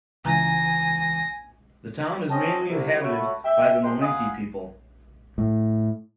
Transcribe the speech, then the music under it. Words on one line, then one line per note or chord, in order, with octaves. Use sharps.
The town is mainly inhabited by the Malinke people.
C#2 E3 G#5 A#5 A#6
C4 C#4 G#4 D#5 G5 A5
C2
A3 F#4 C#5 B5
E5 G5
F3 G3 G#3 G5 C6
F5 F#5 G#5 B5 D#6
A2